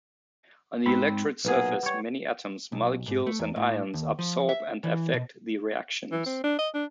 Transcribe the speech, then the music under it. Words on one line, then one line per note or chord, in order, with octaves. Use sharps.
On the electrode surface, many atoms, molecules, and ions adsorb and affect the reactions.
G#2 C4 B5
B1 A#2 G#4 B4 F#5
G3 C#5
B1
G#2
A3
E2
A2
D#2
F3
E5
E3
B2
E3
C4
D4
D#5
D4